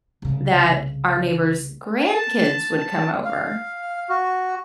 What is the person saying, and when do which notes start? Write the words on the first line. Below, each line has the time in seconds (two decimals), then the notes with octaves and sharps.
that our neighbors' grandkids would come over.
0.22 C2 C#3
2.14 A5
3.25 F5
4.09 F#4